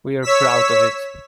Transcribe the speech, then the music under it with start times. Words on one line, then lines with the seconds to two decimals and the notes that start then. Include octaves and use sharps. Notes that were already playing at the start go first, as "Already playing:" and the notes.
We're proud of it.
0.22 C#5 E6 B6